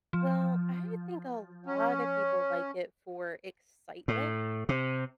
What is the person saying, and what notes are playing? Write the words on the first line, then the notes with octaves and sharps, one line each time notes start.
Well, I think a lot of people like it for excitement
F3
C#4
A2
C3